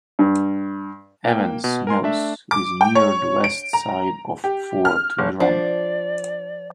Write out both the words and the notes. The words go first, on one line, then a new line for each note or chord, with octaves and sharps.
Evans Mills is near the west side of Fort Drum.
G2
A#3 G5
B2
A#4 G#5 C6
A3 D4 E5
D6
G5
C#5
D7
A#5
G4
F6
F#1
F3 D4 D5 F#5